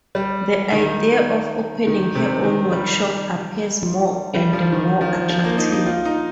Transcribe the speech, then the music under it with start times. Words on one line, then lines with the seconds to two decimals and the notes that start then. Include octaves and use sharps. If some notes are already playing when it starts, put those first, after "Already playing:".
The idea of opening her own workshop appears more and more attractive.
0.15 G3
0.72 D#3
1.87 D#3
2.15 C3
2.44 D#3
2.72 G3
4.35 G3
4.53 F3
4.72 D#3
5.01 F3
5.29 F3
5.44 A#3
5.58 D#4
5.72 D#4
5.86 F4
6.05 D#4